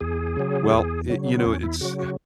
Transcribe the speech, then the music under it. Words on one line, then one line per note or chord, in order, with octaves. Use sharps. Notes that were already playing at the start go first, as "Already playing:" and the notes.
well, it you know, it's
E2 G#4
C#3 F#3
E2
C#3 F#3
B3
E2 C#4
E4
C#3 F#3 F#4
F#4